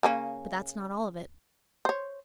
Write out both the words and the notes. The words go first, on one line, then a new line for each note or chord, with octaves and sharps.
But that's not all of it.
C#3 A#3 C#4
C5 C#5